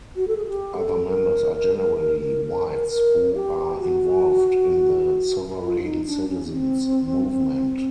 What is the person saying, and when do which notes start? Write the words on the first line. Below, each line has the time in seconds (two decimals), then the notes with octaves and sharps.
Other members are generally whites who are involved in the "sovereign citizens" movement.
0.16 F#4
0.28 A4
0.37 G#4
0.47 G4
0.77 A4
1.07 A#4
2.88 A#4
3.34 G4
3.79 F#4
5.61 F4
5.83 D#4
6.06 D4
6.29 C#4
6.46 B3
6.51 C4